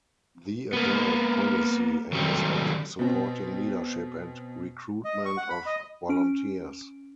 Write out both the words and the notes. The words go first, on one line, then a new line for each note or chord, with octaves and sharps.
The adult policy aims at supporting leadership and recruitment of volunteers.
A#3 B3
D#3 F#3 G3 A3 C4
B2 C4
D#5
C#6
F#5
B5
D#5
C#4 D7